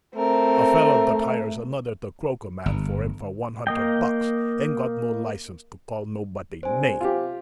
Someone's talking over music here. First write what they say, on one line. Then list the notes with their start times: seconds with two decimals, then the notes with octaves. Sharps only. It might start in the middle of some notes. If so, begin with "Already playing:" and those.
"A fellow that hires another to croak a man for him for one hundred bucks ain't got no license to call nobody names."
0.15 A3 C4 A#4
2.66 G1
3.67 A#3 D#5 G5
6.63 B1 G2 C4 C5 G#5
7.01 C3 F4 G4